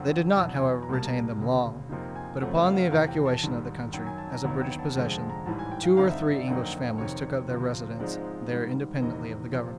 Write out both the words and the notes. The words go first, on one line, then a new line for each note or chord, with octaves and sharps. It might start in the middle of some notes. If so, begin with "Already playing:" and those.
They did not, however, retain them long; but, upon the evacuation of the country as a British possession, two or three English families took up their residence there independently of the Government.
Already playing: F2 D3 F#3
E2 B2 F#3 A5
G#5
A#5
C2 B2 G3 A#3 A5
A#5
E1 D2 C#3
F2 C3 F3 A#3 D#4
G#5
F#2 C#3 F3 A3 C4 F#5
D#5
F5
F#5
F5
F1 E2 C3 E3 F5
G5
A5
G#1 G#2 D#3 G3
F#2 D#3 F#3 G5
G#5
A5
A#5
D#2 D3 F#3 B3 D#4
G5
A5
F1 F2 D3 F3 G#3 A5
A5
A#5
A1 G#2 E3 G3 A5
G#5
G5
F5
G2 D3 G3 C4 D#4 F5
E5
E5
D5
F2 D3 F#3 A#3 D#4
F1 F2 C3 D#3 C#5
D2 C3 F3
G#2 F3 G#3 C4 D#4 D5
G#2 D#3 G3
E2 C3 D#3 D#5
C3 F3